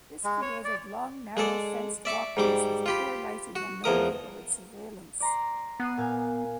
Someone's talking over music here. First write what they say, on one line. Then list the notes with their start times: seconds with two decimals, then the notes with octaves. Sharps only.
This created long, narrow, fenced walkways, with poor lighting and no neighbourhood surveillance.
0.24 G#3
0.42 C#5
0.65 D5
1.37 G#3 G#4 A4 D5
2.05 D5 E5 C#6 D6
2.37 G#2 G3 D6
2.86 F4 G4 B5
3.56 F#4
3.84 E2 F3 A#4 D#6
5.20 D5 A#5 C6
5.80 B3 F#6 C7 D#7
5.97 A#2 F5 G#5